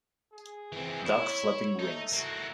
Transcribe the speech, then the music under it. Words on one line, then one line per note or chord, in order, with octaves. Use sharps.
Duck flapping wings.
G#4
E3 C4
E4 C#5
A3 D#4
A3 A#3 F#4